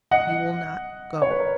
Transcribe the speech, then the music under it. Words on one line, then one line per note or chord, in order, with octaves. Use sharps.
You will not go?'
D#5 F#5
C#5
B4
A#4